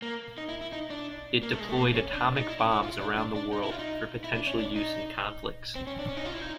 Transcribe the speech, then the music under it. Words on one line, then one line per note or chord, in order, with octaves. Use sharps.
It deployed atomic bombs around the world for potential use in conflicts.
A#3
D#4
E4
E4
D#4
D4
A#3
A3
G#3
A3
A#3
C#4
D4
D#4
E4
C#4
E4
F4
D4
D4
D4
D#4
E4
F4
D#4
E4
D4
C#4
D4
D#4
C4
C#4
D4
C#4
D#4
F4
E4
D#4